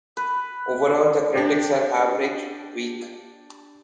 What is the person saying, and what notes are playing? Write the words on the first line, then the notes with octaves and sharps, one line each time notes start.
Overall, the critics are average, weak.
B4
D4 G4